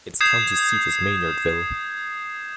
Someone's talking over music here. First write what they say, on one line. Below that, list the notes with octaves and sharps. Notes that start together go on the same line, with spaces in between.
Its county seat is Maynardville.
D#6 G6 G#6 C7 E7